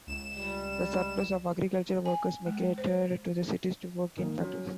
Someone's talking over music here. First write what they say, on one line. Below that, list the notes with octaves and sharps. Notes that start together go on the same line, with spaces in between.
The surplus of agricultural workers migrated to the cities to work in factories.
C#2 E7
G3
G#5
G#3
C5
G#2 D#3 A#3
F#3 C#4